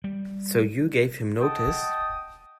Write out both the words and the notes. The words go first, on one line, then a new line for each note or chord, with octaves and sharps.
So you gave him notice?
G3
D#5 F#5 G5 A5 D#6